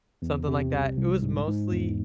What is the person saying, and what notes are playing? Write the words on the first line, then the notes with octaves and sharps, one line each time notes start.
something like that, it was mostly
E2
C3
C2
C2
G#2
G#2
E2